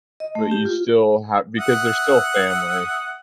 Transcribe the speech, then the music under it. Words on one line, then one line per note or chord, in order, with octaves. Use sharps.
but you still ha because they're still family.
D#5
A3
G4
F4
E5 F#5 D#6